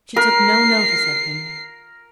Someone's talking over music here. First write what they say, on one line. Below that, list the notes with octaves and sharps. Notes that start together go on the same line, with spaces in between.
She took no notice of him.
A#4 C7